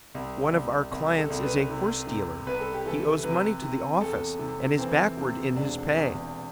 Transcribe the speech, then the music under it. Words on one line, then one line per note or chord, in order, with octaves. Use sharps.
One of our clients is a horsedealer; he owes money to the office, and is backward in his pay.
C2
C2
C2
A4
C2
B4
C3
C3
C2 B4
A4
G4
E3 A4
C3 B4
C3
E2 A4
C3
E3 C4
C3
E1 D4
E2